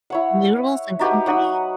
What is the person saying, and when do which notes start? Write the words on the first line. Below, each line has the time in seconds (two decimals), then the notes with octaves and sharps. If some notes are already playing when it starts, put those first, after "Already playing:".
Noodles and Company?
0.10 E4 C#5 F#5
0.99 D#4 F#4 G4 B4
1.27 F#3 F#5 D#6